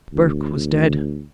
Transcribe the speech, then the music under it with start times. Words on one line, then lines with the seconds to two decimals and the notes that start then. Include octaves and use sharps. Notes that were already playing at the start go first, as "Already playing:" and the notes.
Burke was dead!
0.13 D2